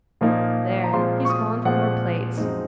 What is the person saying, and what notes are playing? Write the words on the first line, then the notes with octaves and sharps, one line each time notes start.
There, he's calling for more plates.
A#2 F3 A#3 D#4
A#5
A#2 F3 G#3 C4 F4 C6
C#6
D#6
A#2 F3 G#3 C4 F4 F#5
F#2 F3 G#3 C4 D#4